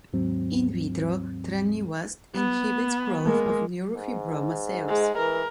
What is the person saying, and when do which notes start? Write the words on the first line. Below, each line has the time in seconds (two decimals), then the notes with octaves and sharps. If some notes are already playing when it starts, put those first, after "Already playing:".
In vitro, tranilast, inhibits growth of neurofibroma cells.
0.13 D#2 G#2 F#3 C4
2.36 B3
3.25 G#3 A#3
3.94 G#2
4.89 G#3
5.18 E3 A#4